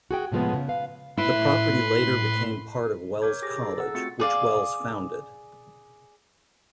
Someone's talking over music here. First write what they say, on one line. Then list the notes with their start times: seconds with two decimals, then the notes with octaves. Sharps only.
The property later became part of Wells College, which Wells founded.
0.11 F#4 G#4 G5
0.32 A2 C3 F3 G#3 B3
0.54 C#3
0.68 B4 F5
1.18 A2 E4 B4 C6
3.22 A#4 C#5 D6 G6 G#6
3.42 G4 G#4 D6 A#6
3.61 D#4 G#4 A4
3.77 F#5 E6 A6
3.94 A3 C4 F4 F#4 A6 C#7
4.20 G#4 D5 F5